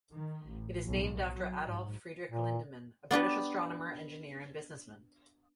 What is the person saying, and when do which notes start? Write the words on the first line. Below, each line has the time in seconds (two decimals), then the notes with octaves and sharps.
It is named after Adolph Friedrich Lindemann, a British astronomer, engineer and businessman.
0.12 D#3
0.46 A1
0.88 B1
1.35 F#3
1.66 G#2
2.32 A#2
3.11 B3 D4 G4 B4